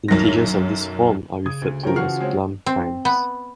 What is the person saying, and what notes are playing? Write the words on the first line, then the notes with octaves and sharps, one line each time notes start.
Integers of this form are referred to as Blum primes.
B1 F#2 D#3 A#6
C#3 D#6 G#6
D2
F3 F#3 C#4 A#4 G5
E3 F#4 F6 C7
G#3 C4 C#5
C4
B3